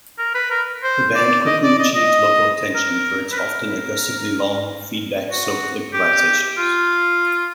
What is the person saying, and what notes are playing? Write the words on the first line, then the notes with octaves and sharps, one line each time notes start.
The band quickly achieved local attention for its often aggressively long, feedback-soaked improvisations.
A#4
B4
A#4
C5
D5
D#5
D5
D#5
D#5
A#4
B4
A#4
F#4
G4
F4